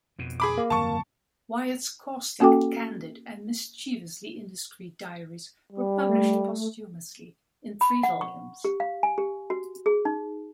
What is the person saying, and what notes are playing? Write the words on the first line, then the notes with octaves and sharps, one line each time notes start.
Wyatt's caustic, candid and mischievously indiscreet diaries were published posthumously in three volumes.
F2 B2
G#4 B5 D6
A#3
G1 F2 F#3 A5 C#6
A#3 C#4 F#4 A4 G5 D6
G3
A3
B5
F#5
C#6
G4
F5
G#5
G4
F#4
G#4
D#4